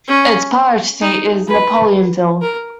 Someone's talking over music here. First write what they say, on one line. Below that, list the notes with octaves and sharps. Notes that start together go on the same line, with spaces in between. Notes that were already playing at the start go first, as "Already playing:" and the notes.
Its parish seat is Napoleonville.
C#4
D#4
B4
A#4